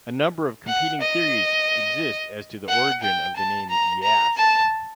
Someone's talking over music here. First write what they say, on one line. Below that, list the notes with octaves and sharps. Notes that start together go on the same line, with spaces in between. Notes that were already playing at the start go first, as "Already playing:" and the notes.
A number of competing theories exist as to the origin of the name "Yass".
F#5
D#5
F#5
G5
A5
A#5
A#5
A5